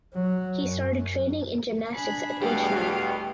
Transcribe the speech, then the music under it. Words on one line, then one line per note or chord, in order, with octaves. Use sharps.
He started training in gymnastics at age nine.
F#3
F#2
D4 G#4 B5
E2 B2 G3 A3 G#4 F5 G5